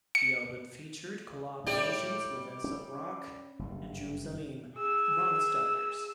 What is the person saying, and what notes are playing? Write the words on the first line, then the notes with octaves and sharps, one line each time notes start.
The album featured collaborations with Aesop Rock and Juice Aleem, amongst others.
C#7
A2 G3 G4 D5
C#4
F#1 G2
G#4 E6